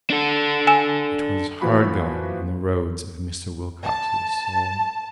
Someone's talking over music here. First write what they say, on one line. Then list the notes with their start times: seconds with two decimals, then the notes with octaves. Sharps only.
It was hard-going in the roads of Mr. Wilcox's soul.
0.10 D4 A4
0.67 G#5 E6 E7
1.61 E3 F3 A#3 F#4 B5 C#6
3.84 A5